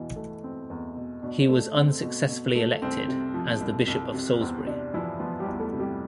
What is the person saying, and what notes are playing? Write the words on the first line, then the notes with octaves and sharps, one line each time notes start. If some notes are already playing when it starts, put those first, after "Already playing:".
He was unsuccessfully elected as the Bishop of Salisbury.
Already playing: E2 B2 E3
A3
C4
E2
B2
B2 D4
A3
C4
B2
B2
A3
C2 C4
C3
F3
C2
C2
C3
E2 C4
C3 D4
E3 F3 E4
F3 B3 F4
G3 G4
E2
A3 A4
C3
G3 G4